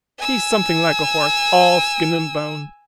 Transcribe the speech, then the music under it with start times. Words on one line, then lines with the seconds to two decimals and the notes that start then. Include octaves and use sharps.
He's something like a horse--all skin and bone.
0.18 G#5 E6